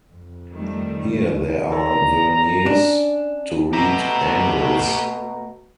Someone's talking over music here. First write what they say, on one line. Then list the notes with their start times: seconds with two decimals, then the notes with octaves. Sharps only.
Here there are verniers to read angles.
0.11 F2
0.55 D#3 G3 A3
1.72 A4 C#5 D5 A#5
2.66 C#4 D4
3.73 B2 A3 G4 E5 A#5